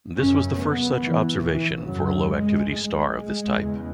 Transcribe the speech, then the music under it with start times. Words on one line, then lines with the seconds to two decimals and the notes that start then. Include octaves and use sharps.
This was the first such observation for a low-activity star of this type.
0.18 F#2 C#3 C#4
0.59 B3
1.02 E3
1.43 E3
1.85 F#2 C#3 F#3
2.28 G#3
2.70 G#3
3.53 E2 C#3